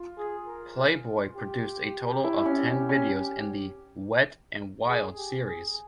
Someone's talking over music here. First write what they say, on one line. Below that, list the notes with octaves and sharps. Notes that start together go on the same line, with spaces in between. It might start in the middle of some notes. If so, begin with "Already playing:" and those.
"Playboy" produced a total of ten videos in the "Wet and Wild" series.
Already playing: F4
G#4
A#4
G#4
G4
E4
E4
C#4
C#4
C#4
G#4
G4
G#4